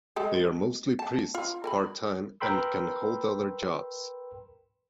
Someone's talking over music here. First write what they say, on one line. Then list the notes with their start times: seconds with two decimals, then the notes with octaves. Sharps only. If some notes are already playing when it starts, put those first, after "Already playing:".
They are mostly priests part-time and can hold other jobs.
0.16 G#3 G4 A4
0.99 A5
1.35 F4
1.64 A#4 G#5 B5
2.40 A#4 B4 G5 B5 C6 E6